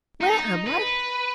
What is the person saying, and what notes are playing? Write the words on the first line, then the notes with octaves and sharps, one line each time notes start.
"Where am I?"
D#4
B4